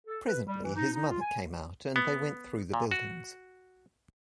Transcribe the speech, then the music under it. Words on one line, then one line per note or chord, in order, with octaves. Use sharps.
Presently his mother came out, and they went through the buildings.
A4
B4
G3
E3
D#4
D#4
F4
G#5
B3
A#2
F#4